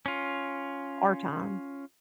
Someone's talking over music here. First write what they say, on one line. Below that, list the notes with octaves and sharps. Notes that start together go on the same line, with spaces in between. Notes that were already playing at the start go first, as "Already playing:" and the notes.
our time,
C#4 F4